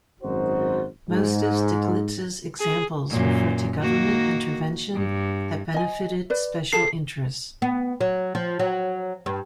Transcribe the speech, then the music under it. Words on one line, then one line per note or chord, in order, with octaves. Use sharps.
Most of Stiglitz's examples refer to government intervention that benefited special interests.
G#1 F#2 D#4 F#4 C5
G#2
G#4
F#2 A#2
D#3 A#3 F#4
G2
D#5 G#5
B4 D5
G#4 A4 A5 C7
B3
F#3
F3
F#3
G2